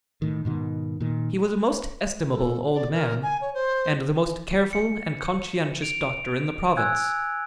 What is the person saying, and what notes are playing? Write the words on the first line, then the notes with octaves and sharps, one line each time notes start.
He was a most estimable old man, and the most careful and conscientious doctor in the province.
A2 D#3
G#2 B2 D#3
A#2 D#3
A4
D5
A#4
G#5
C#5
C5
C#7
D7 F7
G#5 E6 F#6 G#6